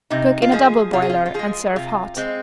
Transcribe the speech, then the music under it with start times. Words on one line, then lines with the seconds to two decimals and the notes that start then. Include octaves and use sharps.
Cook in a double boiler and serve hot.
0.10 C3 D#4
0.42 F4
0.52 F3 G#3 G#4
0.93 C3 F4
1.02 G#4
1.09 F4
1.26 F4
1.34 F3 G#3 G#4
1.76 C3 F4
2.17 G#3 C4